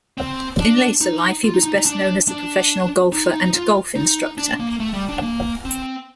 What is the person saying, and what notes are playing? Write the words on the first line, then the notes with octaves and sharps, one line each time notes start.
In later life, he was best known as a professional golfer and golf instructor.
C4
D4
D#4
F4
D#4
D#4
D#4
D4
D4
D#4
D#4
F4
D#4
D4
A#3
A3
G3
D4
A#3
C4